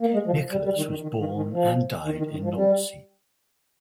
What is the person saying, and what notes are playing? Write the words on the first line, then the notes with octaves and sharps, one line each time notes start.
Nicholas was born and died in Nancy.
A#3
G#3
F3
G3
G3
D#3
D#3
D#3
D#3
D#3
F3
D#3
D#3
D#3
F3
G3